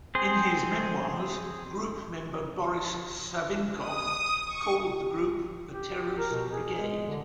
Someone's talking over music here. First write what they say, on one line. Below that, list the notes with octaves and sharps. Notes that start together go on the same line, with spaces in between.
In his memoirs, group member Boris Savinkov called the group the Terrorist Brigade.
C4 G#4 C5
D#6
C#6
G4
A#4
B2
G#4
G#3
D3